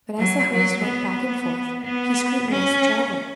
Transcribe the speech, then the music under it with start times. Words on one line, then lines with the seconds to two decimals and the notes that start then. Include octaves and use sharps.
But as the host went back and forth, he scrutinized the traveller.
0.19 F#3
0.52 F#3
0.85 B3
1.85 B3
2.51 C#4